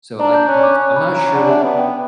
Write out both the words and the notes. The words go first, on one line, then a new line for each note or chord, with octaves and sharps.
So I I t I'm not sure.
D4 A#5
G6
C#4 F#6
D6
C#4
B5
A#5
D4 F#5
E5
B3
G5